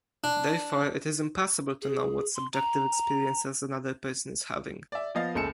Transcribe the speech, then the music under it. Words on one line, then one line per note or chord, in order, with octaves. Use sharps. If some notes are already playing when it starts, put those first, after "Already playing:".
Therefore it is impossible to know what subjective experiences another person is having.
D4
G#4
C6
A#5
D5 E5
F3 B3 D#5 F5 A6
F#1 C#2 A4 C#7 E7